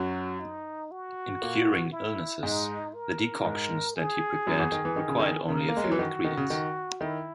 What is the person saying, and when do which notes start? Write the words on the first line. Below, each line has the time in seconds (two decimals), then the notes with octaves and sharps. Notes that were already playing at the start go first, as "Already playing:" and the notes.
In curing illnesses, the decoctions that he prepared required only a few ingredients.
Already playing: F#2 F#3 F#4
0.40 D#4
0.91 F#4
1.42 A#2 A#3
1.92 E4
2.43 G#2 G#3 D#4
2.94 A#4
3.45 G#2 G#3
3.96 G#4
4.47 F#2 F#3
4.59 E2 E3
4.72 D#3
4.85 E3
4.96 D#3
5.08 C#3
5.20 D#3
5.48 C#3 A#4
5.69 A#3
5.77 G#3
5.84 F#3
5.92 E3
5.99 D#3 F#4
6.24 D#3
6.37 C#3
6.50 D#3
7.01 D#3 E4